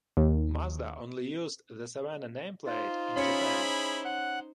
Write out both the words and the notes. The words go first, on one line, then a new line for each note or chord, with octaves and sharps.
Mazda only used the Savanna nameplate in Japan.
D#2
D#4 F4 C5
C#4 E4 G#4 B5 C#7
F#5 F#6